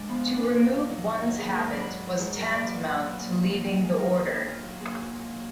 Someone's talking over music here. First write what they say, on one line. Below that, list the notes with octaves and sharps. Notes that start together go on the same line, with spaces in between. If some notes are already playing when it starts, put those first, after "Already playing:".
To remove one's habit was tantamount to leaving the Order.
Already playing: G#2 G#3 D4
F3 B3
A#2
D4
A#2
D#2
D#2
F#3
D#3 D#4
D#2 F#4
D#2 G#4
G#2 A#4
F#3 D5
B4
G#2
F#3
G#2
F#3 A#4
B4
A#2 D5
F#3 D5
A#2 B4
F#3
A#2
F#3
D#2
D#2
G#3
D#3 A#4
D#2 B4
D#2 D4
A#2 F4
F#3 F#4
A#2 G#4
F#3
A#2
F#3